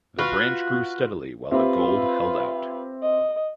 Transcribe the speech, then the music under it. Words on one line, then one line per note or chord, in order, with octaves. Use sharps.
The branch grew steadily while the gold held out.
F4 F#4 B4
C4 F4 G4 B4 E5
D#5